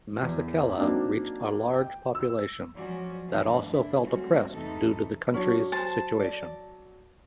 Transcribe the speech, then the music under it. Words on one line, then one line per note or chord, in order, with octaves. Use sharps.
Masekela reached a large population that also felt oppressed due to the country's situation.
E2
F#3 A#3 C4 D4 D#4
G5
E6
F3 F#3 G#3 C#4 F#4 D5
G2 D3 E3 G#3 A3 C#4
D4 E4
F#3 G3 A3 C4 C#4 F#4
E2 C3 E3 A3 D#4 A4
F#3 C#4 D4 C#5
C5 A5
D5